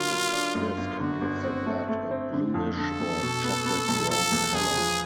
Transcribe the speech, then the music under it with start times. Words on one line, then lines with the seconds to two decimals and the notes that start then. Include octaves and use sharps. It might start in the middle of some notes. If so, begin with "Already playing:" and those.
This can give the blood a bluish or chocolate-brown color.
Already playing: D3 F#3 A#3 F4
0.10 F#3
0.33 D4
0.55 F#2 F4
0.77 G1
1.00 D3 F#4
1.21 G1
1.43 C4
1.66 A3
1.88 A3
2.11 C4
2.33 D3
2.54 F2
2.76 D3 A4
3.00 F2
3.22 B2
3.44 B3
3.65 B3
3.88 B1
4.10 F3 A4
4.32 E2
4.54 E1 G#4
4.77 F3